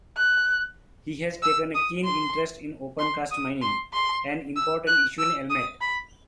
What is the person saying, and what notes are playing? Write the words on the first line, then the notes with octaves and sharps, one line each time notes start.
He has taken a keen interest in opencast mining, an important issue in Elmet.
F#6
E6
D#6
C6
C6
D#6
C6
C6
E6
F#6
E6
D#6
B5